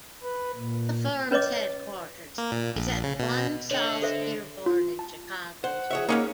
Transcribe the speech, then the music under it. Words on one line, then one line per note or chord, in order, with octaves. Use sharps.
The firm's headquarters is at One South Dearborn in Chicago's Loop.
B4
A#2
C#4 B4 C#5 D#5 D6
A#3
A#2
A#1
C#3
B2
B2
D3 C#5 D#5 G5
A4 C5 E5
F4
A5
C5 F#5
G#4 C#5 E5
G#3 A#3 C#4 D#4 G#4 C#5